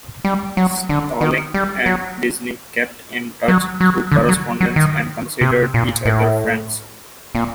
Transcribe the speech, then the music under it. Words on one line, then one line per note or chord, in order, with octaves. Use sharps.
Stalling and Disney kept in touch through correspondence, and considered each other friends.
G3
F#3
D3
D#3
G3
F#3
F#3
F#3
D3
F#3
F#3
D#3
C3
A#2
A2
A#2